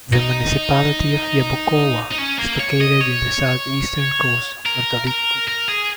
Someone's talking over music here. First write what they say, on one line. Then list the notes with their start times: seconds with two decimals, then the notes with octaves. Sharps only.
The Municipality of Yabucoa is located in the south-eastern coast of Puerto Rico.
0.13 D#4
2.12 D#4
2.19 C#4
2.39 A#3
2.60 C#5
2.81 D#5
3.01 C#5
4.66 A#4
5.07 A#4
5.48 A#4
5.69 G#4